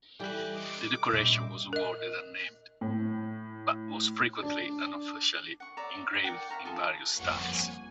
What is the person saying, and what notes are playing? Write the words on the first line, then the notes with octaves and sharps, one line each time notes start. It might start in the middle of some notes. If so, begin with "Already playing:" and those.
The decoration was awarded unnamed, but was frequently unofficially engraved in various styles.
E3 G3 A4 D5 G5 F#6
D#5 D6
A#2 G3 D#4 C5 E5
A#4 D#5
A2
D4
F#5 C#6
C#5 D5 E5 A#5
A#4 D5 F#5 G5
E5 F5 A#5 C#6
F4 G#4 A4
G1 F2 A#3 C#5 F#5 C#6
G#5